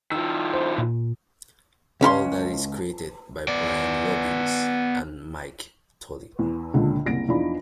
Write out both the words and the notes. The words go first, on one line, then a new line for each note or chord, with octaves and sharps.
All That is created by Brian Robbins and Mike Tollin.
D#3 F3 E6
C5
A#2
C#2 C#4 A#5 C6
B3 D5
E2
C#2 A#2 D3
F#1 C2 A#6 D7
E2 F3 D4 D#4 B5